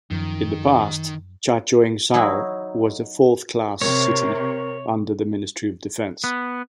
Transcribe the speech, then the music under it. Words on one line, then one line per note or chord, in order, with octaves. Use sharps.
In the past, Chachoengsao was a fourth-class city under the ministry of defence.
F#2 D#3 F3
F#3 D#4 E4 F#4
C3 A#4 C#5
B3